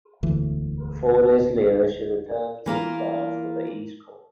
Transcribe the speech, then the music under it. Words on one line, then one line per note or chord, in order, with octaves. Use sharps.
Four days later, she returned to sea bound for the East Coast.
E1 D2 E3
E3 A#3 F4 A#4